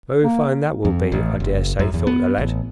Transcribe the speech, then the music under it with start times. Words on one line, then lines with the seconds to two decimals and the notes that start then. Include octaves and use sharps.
"Very fine that will be, I dare say," thought the lad.
0.23 A#3
0.85 F2
1.12 A1
1.40 F#1
1.79 F#2
1.94 E2
2.07 B3
2.38 A1